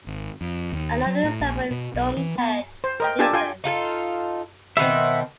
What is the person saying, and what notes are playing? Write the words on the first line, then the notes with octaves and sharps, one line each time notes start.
Another example is Stonehenge in England.
G#1
F2
D#2
F#3
A2
A#1
B2
B1
E3
B3
C5
A#4 D#5 G5
D4 F4 G4 A4 G#5 A5
F4 G5 G#5
D#4 F4 A4
B2 D#3 C4 E5 F#5